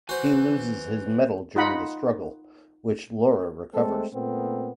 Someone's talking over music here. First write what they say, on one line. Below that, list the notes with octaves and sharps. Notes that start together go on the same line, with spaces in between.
He loses his medal during the struggle, which Laura recovers.
F#4 B4 C5 G#5
D#4 F4 D#5 F#5 B5
G#3 A3 C4 A4
A#2 A3 B3 C4